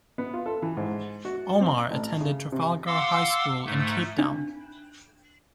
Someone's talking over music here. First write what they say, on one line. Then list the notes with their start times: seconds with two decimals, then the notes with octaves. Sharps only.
Omar attended Trafalgar High School in Cape Town.
0.18 B3
0.34 F4
0.46 A4
0.62 E3
0.77 G#2
1.25 F#4
1.61 C4
1.91 A1
2.21 C#3
2.52 C3
2.87 F5 F#5 C6 D6 E6
3.65 G#2 A3
4.19 D4